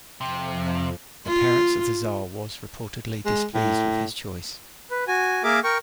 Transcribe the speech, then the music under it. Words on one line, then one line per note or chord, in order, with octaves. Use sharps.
The parent's of the tsar was reportedly displeased with his choice.
F2 C3 F3
F4
G#3
A2
B4
F#4 G#5
A#3 G#4 A#4 E5 D6
A#4 G5 C#6